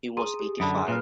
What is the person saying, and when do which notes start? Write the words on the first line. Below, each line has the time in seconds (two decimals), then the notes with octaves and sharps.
He was eighty-five.
0.17 G#4 A#5 C6 D#7
0.40 G4
0.60 F#2 D3 A5 B5 D#6
0.76 G#4 G#5 A#5 C6
0.88 A#2 B4 F6